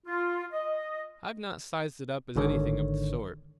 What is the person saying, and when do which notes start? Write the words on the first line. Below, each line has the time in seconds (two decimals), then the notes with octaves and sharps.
I've not sized it up as anything of the sort.
0.06 F4
0.52 D#5
2.36 G#1 G#2 D3 D#3 C#5